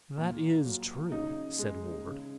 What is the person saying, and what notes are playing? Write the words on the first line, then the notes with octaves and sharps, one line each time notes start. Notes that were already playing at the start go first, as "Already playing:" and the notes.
"That is true," said Ward.
A#2
F#3
C#3 D#4
G#3
C#3